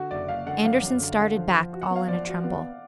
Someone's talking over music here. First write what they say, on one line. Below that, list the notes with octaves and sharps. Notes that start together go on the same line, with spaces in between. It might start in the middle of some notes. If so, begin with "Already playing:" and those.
Andersen started back all in a tremble.
Already playing: D3 F#4
F#1 D5
F#1 F5
D3 F#5
F#2 F5
F#2
D3
D3
F3
F3
F#4
F#5
B3
F5
F3 D5
F#4
B3